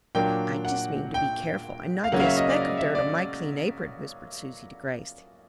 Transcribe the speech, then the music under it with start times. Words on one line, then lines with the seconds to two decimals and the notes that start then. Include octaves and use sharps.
"I just mean to be careful, and not get a speck of dirt on my clean apron," whispered Susy to Grace.
0.15 A#2 F#3 A#3 D4 G5
0.65 F#5
1.14 G5
2.04 F5
2.12 C#3 F#3 A#3 C#4 F#5
2.19 F5
2.25 E5
2.37 D#5
2.49 D5
2.62 D#5
2.77 E5
2.95 D5